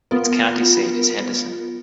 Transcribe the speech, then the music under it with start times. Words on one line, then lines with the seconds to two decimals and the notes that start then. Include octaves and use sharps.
Its county seat is Henderson.
0.11 B3 F4 A#4